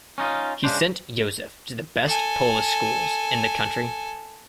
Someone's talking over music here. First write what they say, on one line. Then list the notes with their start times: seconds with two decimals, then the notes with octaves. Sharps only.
He sent Yosef to the best Polish schools in the country.
0.18 C#4 D#4 F4
0.64 C#3 G#3 D4 C5
2.06 A4 G#5